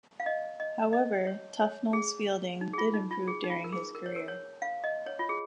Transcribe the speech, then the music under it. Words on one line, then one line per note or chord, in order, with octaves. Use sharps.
However, Tufnell's fielding did improve during his career.
F5
D#5
D#5
D#5
C#5
C#5
G#4
D#4
G#4
F4
D#4
F4
G#4
D#4
F4
A#4
G#4
A#4
C#5
A#4
C#5
F5
D#5
C#5
F4
G#4